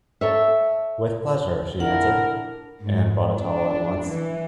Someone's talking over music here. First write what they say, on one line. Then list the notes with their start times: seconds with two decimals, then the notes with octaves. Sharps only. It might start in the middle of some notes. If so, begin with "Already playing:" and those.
"With pleasure," she answered, and brought a towel at once.
0.21 A4 C#5 E5
1.80 D4 E4 A#4 F#5
2.82 G#2
3.37 D4
4.11 E3